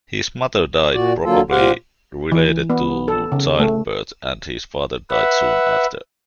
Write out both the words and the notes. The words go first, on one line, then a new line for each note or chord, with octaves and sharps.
His mother died probably related to childbirth, and his father died soon after.
A#2 F#4 D5
D3 F#3 A#3 F4 A4
A#2 G4 C5 F5 F#5
E3
B3
A4
C#3
A3
B4 E5 F#5